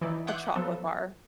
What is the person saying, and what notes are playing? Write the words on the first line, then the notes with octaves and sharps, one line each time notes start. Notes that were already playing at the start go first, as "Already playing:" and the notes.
a chocolate bar.
E3 D#4 E4 D5
E5 F#5 C6 D6 F#6 G6
F3 F#3 B3 A4